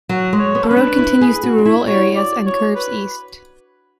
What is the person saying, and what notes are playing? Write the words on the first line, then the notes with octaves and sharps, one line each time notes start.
The road continues through rural areas and curves east.
F#3 F#4
G#3
C#5
B3
A4
C#4 B4
D4
E4
G#4
F#4
D4
E4
F#4 C#5
D5
C#5
B4